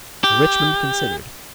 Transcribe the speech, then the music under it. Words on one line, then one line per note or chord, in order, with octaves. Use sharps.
Sir Richmond considered.
G4